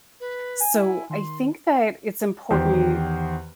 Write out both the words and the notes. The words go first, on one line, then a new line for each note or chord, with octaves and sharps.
so I think that it's important,
B4
G#5
E4
D#3 C6
E2 D#3 G4 C5